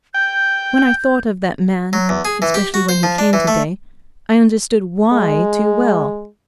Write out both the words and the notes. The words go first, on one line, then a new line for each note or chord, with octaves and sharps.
When I thought of that man--especially when he came today--I understood WHY too well.
G5 G6
F#3
E2
G#4
E3
G4
F#4
C5
F3
D4
E3
A3
G#3